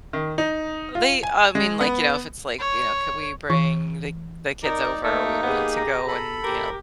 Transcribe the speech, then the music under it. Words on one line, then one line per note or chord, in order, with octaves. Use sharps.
They, um, I mean, like, you know, if it's, like, you know, could we bring the the kids over? We wanted to go and, you know,
D#3
D#4
F4
G#5
G#3
B3
C#5
E3
D#4 A#4 D5
A3 A#3 D#4
B3 G4 G#4
A#5
A4 B5
G4 A#4